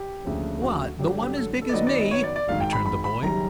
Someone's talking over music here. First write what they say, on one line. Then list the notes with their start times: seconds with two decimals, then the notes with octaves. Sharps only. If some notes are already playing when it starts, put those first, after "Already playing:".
"What, the one as big as me?" returned the boy.
Already playing: G4
0.25 D2 C#3 F3 A#3 C#4
0.62 F#4
0.99 G2 D3 F#3 A3 G4
1.17 G4
1.36 A4
1.61 A4
1.69 D5
1.73 F#2 D#3 F#3 B3 D#5
1.87 D5
1.99 D#5
2.11 C#5
2.23 D5
2.36 D5
2.48 G#1 G#2 D#3 F5
2.60 G5
2.73 B5
2.86 B5
3.04 B5
3.23 F#1 F#2 D#3 G3 A#5